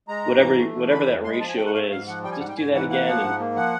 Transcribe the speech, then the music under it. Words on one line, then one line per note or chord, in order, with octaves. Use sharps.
whatever you whatever that ratio is, just do that again and,
G#3 A#5
G#2
E3
A3
E3
D3 B5
F2
G#3 C6
B5
F3 A5
G#5
A3 G5
F#5
G#2 F5
E5
G#2 F5
F3 F#5
G3 G5
G#5
G#2 F#5
G5
G#2 G#5
E3 F#5
A#3 F#5
F3
G#2
A#3
F3 F#5